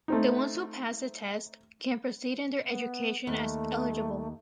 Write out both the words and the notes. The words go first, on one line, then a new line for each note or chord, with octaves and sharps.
The ones who pass the test, can proceed in their education as eligible.
A3 C4 D#4
B3
D#2 A3